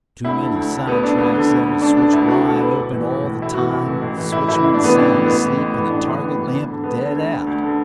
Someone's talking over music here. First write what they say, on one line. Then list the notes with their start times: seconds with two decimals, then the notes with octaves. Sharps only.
Too many side tracks; every switch wide open all the time, switchman sound asleep and the target-lamp dead out.
0.24 D2 E4
0.40 D3
0.56 D2
0.72 D3
0.87 D2 B3
1.03 D3 D4
1.18 D2 B3
1.34 D3
1.50 D2
1.65 D3
1.82 D2 D4
1.97 D3 D4
2.13 D2 E4
2.22 A4
2.28 D3 F#4
2.44 D2 A4
2.60 D3 B4
2.75 B1
2.91 A2 E3
3.07 B1
3.23 A2 E3
3.38 B1 E4
3.54 A2 E3 F#4
3.70 B1
3.86 A2 E3
4.02 A1
4.17 A2 E3
4.32 A1 E4
4.48 A2 E3 E4
4.64 A1 E4
4.74 D4
4.80 A2 E3 B3
4.94 A1 D4
5.11 A2 E3
5.26 A1 B3
5.43 A2 E3
5.58 A1
5.73 A2 E3
5.89 A1 D4
6.06 A2 E3
6.21 A1
6.37 A2 E3
6.52 D2
6.68 D3
6.84 D2 B3
7.00 D3
7.15 D2
7.31 D3
7.47 D2
7.63 D3